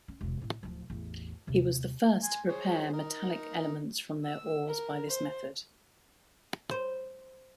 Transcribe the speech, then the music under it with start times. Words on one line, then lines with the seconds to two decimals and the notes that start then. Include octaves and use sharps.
He was the first to prepare metallic elements from their ores by this method.
0.08 C#4
0.21 E1 C3
0.41 A2 C4
0.63 D1 F3
0.90 A1 E2
1.47 D#2 C3
2.23 G#5 C6
2.48 G#4 C5 C#5
2.93 D#4 A#4
4.24 E6
4.68 A#4
5.08 C5
6.71 C5